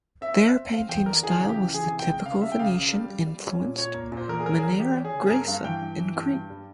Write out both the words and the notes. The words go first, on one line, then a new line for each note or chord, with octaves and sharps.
There painting style was the typical Venetian influenced maniera greca in Crete.
C4 E5
C4
C4
C4 F5
E2 G5
E2 A#4
E3 G#4
C#2
G4
E3
E3 G#4
C3
G5
G#3
C#2 F5
G3 E5
G5
C#2 F5
C#2
G3
G3
G3
C#4
A#2
A#2 C#5
A#3
A#2
C5
E2 A#4
G#4
C#4 A#4
G#4
E2 A#4
E2 G4
C#4
G#4
C#3
G#4
G2 A#4
G2 F5
E3 G5
G2
E3
G2
G2
G3